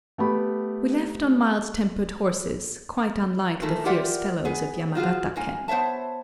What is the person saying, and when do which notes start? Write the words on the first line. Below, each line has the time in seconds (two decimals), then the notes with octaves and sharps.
We left on mild-tempered horses, quite unlike the fierce fellows of Yamagata ken.
0.18 A3 B3 G4 B5
3.62 A#2 D#3 E3 A3
3.85 F4 G4 A#4 D5 E5 F#5
4.45 B3 G#4
4.95 F#3 F4 F#4 G#4
5.36 G#2 A#3 G#5
5.68 B3 C5 C#5 E5 A5